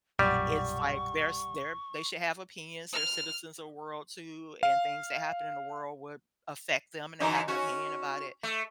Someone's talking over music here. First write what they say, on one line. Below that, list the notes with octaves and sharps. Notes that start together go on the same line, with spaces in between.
it's like there's there they should have opinions, they're citizens of world too, and things that happen in the world would affect them, and they have an opinion about it,
B1 F#2 A#2 G3 D5 F#5 C#6
F6
F5
F#2 E3 D#4
C#4 F#4
A3